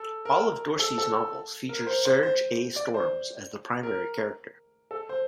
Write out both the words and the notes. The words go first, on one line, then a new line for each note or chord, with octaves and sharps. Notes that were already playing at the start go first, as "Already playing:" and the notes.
All of Dorsey's novels feature Serge A. Storms as the primary character.
Already playing: A4
A#4
A4
A4
A#4
C5
C5
C5
D5
C5
A#4
A4
C5